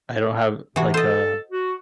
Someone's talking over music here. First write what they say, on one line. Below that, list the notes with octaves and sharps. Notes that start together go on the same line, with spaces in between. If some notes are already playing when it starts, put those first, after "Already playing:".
I don't have like, uh
C3 E3 F#4
A4 C5 D#5
F#4